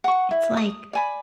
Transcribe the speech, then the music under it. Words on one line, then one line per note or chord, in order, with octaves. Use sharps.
it's like
F#5 C#6
E4
D#6
D5 G#5 B5